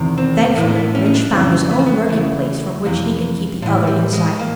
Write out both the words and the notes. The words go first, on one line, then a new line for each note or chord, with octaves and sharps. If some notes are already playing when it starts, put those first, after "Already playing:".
Thankfully Rynch found his own lurking place from which he could keep the other in sight.
Already playing: E2 C3 D#3
C4
A2 E3 A#3
B3
C#4
D#4
D4
F2 C#3 E3 C4
B3
A#3
B3
E2 C#3 E3 A3
F2 C3 E3
A2 E3 G#3
G3
G#3
A#3